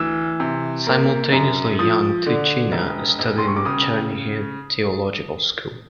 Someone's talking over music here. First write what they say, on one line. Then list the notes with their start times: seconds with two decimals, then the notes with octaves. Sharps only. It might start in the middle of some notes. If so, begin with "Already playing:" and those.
Simultaneously young Tychyna studied in the Chernihiv theological school.
Already playing: D2 E3 E6
0.40 C3
0.87 A#3
1.32 F#2
1.79 F3 D#6
2.26 D3
2.72 E1
3.19 E1
3.38 C6
3.48 C#6
3.57 D6
3.65 C#3 D#6